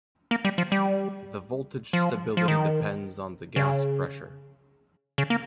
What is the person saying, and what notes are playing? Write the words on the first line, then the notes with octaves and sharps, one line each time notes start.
The voltage stability depends on the gas pressure.
A#3
G3
F3
G3
F3
F3
D#3
C#3
C#3
A#3